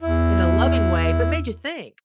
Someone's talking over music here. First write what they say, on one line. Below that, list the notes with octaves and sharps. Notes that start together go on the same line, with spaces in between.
in a loving way, but made you think.
E2 E4